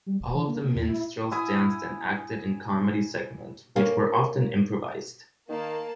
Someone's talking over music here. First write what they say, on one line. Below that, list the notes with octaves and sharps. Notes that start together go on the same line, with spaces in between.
All of the minstrels danced and acted in comedy segments, which were often improvised.
G3
E1
E3
A#3
C3
D#2
E4
E4 G#5 D#6
A#3 C#4
D#3 A#3 A5